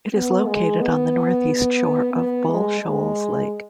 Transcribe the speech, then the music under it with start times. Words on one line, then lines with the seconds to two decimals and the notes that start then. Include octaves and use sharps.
It is located on the northeast shore of Bull Shoals Lake.
0.14 B3
0.47 G#3
0.81 B3
2.14 B3
2.49 G#3
2.81 G#3